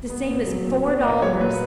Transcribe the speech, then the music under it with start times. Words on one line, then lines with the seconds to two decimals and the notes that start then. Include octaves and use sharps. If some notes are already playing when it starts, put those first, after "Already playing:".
The same as four dollars!
0.10 B3
0.29 A#2
0.47 F#3
0.66 A#2
0.85 B3
1.03 A#2 D#5
1.22 F#3 C#5
1.40 A#2 B4